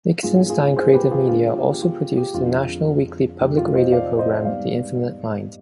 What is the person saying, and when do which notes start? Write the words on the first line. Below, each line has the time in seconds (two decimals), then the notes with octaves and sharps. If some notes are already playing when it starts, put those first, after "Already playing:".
Lichtenstein Creative Media also produced the national weekly public radio program "The Infinite Mind".
0.23 G#2 G3 B3 F4 G#4
0.49 F4 G#4
0.76 G#4 C5
0.93 G4 B4
1.11 F4 G#4
1.28 D3 G#3 B3 F4 G#4
1.56 G4
1.82 F4
2.18 G4
2.34 F2 D3 G#3 F4
3.40 F2 C3 D#3 G#3 G4
3.57 F4
3.75 C5 D#5
3.92 D5 F5
4.19 C5 D#5
4.45 G#2 G3 B3 D5 F5